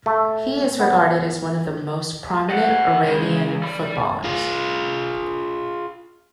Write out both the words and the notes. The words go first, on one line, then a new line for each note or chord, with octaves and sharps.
He is regarded as one of the most prominent Iranian footballers.
A3
B3
D#5 F#5
C#3 G#3
D5 B5
F4 G#4